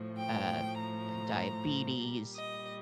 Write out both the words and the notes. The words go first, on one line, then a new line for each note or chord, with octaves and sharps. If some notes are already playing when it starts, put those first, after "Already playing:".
uh, d diabetes.
Already playing: A2 F3
G5
A#5
A#2 G3
D#5